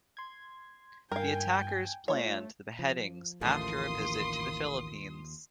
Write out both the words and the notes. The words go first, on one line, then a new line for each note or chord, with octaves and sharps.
The attackers planned the beheadings after a visit to the Philippines.
C6 G#6
G2 A#4 F5 G5 G#5 G#6
A3 F4 C#5
F3
A1 D#2 F3 A3 A#3 C6 D#6